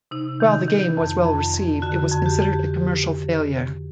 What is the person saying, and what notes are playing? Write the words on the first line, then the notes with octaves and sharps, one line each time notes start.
While the game was well received, it was considered a commercial failure.
C3 D#4
D#3
D#3
F2
F2
F2
D3 F#4
F2
G4